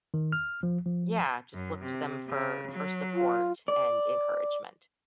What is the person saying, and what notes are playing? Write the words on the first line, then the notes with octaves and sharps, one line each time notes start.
yeah, just look to them for for support and encouragement.
D#3
F6
F3
F3
F#2
C3
C#3
F#3
F4
D5